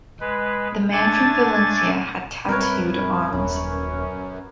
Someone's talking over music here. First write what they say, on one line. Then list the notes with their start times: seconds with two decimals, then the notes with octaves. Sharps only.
The man from Valencia had tattooed arms.
0.20 G#3 B4
0.92 A3 D4 G#5 A6
2.49 F#2 G3 C4 A#4 B4 C#5
3.33 D#1 C#4